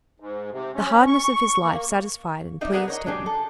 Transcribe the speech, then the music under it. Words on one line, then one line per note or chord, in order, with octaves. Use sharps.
The hardness of his life satisfied and pleased him.
G#2
C3
C#4
C#6
A#3
C4 D#4 D5 E5
B3 G#4 A#4 F#5
A#4 C#5 D#5
F#3 D4 G4 G#4
A4